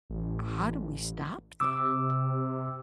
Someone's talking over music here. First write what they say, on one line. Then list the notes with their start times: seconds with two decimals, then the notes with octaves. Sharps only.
How do we stop that?
0.10 A1
1.60 C3 D6 E6